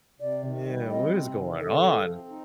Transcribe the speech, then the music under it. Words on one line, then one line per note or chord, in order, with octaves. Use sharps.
Yeah, what is going on?
C3 D5
D#3
G3
C4 D#5
C3
D#3
C3 A4
F3
C4
D#4